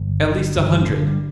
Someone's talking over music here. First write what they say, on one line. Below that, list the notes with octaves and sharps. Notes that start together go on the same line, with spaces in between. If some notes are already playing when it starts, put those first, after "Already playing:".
"At least a hundred."
Already playing: G1
D3
G1 G2 G3
G2 G3
D3
G3